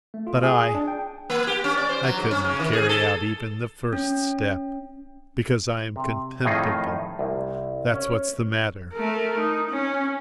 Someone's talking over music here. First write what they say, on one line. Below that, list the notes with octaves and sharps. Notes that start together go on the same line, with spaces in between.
But I... I couldn't carry out even the first step, because I am contemptible, that's what's the matter!
A3
F4
G#4
G#4
D4
G5
A#3
G4
C#4
D5
C5
F#3
G#2
C#4
C#3
D#3
G#4
A4
C#4
C3
F2 A2 D#3 D#4 F4 G#4
C2
C#4
A3 A#4
D#4
C#4